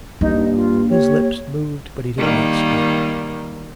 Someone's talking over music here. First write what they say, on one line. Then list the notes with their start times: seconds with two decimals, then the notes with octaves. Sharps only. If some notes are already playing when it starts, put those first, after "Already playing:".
His lips moved but he did not speak.
0.21 G2 A#3 D#4
0.56 F4
0.90 G4 C#5
2.17 D#3 G3 A#3